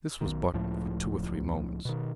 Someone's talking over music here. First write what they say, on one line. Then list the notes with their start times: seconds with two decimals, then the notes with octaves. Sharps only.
This was but for two or three moments.
0.21 B1 D#3
0.54 C#2 A2 F3
1.85 B2 D#3